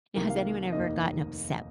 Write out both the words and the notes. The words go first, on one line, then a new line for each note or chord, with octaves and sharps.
Now, has anyone ever gotten upset
C2 C3 D#3 A#3 A#4
F5
F1 D#2 D#3 A#3 D#4 D#5